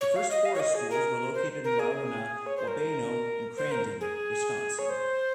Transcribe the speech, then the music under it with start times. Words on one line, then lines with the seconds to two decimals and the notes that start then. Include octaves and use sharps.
The first forest schools were located in Laona, Wabeno and Crandon, Wisconsin.
0.01 C#5
0.16 F5
0.30 D#5
0.45 F5
0.54 C#5
0.60 D#5
0.75 G#4
0.90 A#4
1.34 C5
1.64 A#4
1.79 G#4
2.46 C#5
2.57 C5
2.67 A#4
3.57 C5
3.71 A#4
4.00 G#4
4.79 C#5
4.89 C5